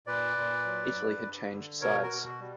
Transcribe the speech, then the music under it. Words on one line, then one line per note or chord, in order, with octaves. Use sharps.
Italy had changed sides.
A#2 B4 D5
A#2
F#3
G2
G2
D3
B2 A#4 C#5
F#4 A#4
B2
F#4
G3